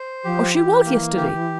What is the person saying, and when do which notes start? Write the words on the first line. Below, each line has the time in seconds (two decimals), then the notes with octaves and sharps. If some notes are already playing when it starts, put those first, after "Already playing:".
Or she was, yesterday.
Already playing: C5
0.24 F3 G4
0.55 E3 G4
0.86 A#3
1.17 G4